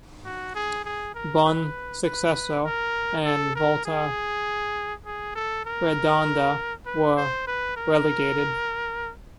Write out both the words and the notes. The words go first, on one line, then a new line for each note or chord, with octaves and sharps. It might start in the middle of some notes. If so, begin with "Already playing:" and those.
Bonsucesso and Volta Redonda were relegated.
F#4
G#4
G#4
A#4
B4
B4
A#4
A4
A#4
G#4
G#4
A4
A#4
B4
C5
B4
A#4